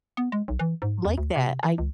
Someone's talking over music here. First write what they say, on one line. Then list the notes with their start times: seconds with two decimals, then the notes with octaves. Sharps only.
like that. I
0.17 B3
0.32 G#3
0.48 B1
0.59 E3
0.82 G#2
1.05 E2
1.18 D2
1.36 C3
1.63 E3
1.78 C#2